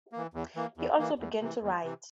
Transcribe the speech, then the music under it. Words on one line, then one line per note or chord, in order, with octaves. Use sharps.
He also began to write.
E3 A#3
E2
E3 A#3
E2
E3 A#3
E2
C3 E3
E2
C3 E3